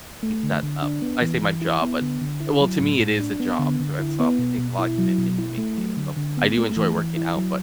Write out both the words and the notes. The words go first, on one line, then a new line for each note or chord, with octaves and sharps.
keep that up. I say my job, but, eh, well, to me, it is a job to itself, it takes a lotta commitment to maintain itself. I do enjoy working out, but
A3
D3
D3
D4
B3
E3
E3
E4
B3
D3
D3
E4
F#3
A2
A2
D4
B3
D3
D3
E4
B3
B2
B2
E4
F#3
B2
E4
A3
F#3
D3
D3
B3
A3
E3
E3
E4
F#3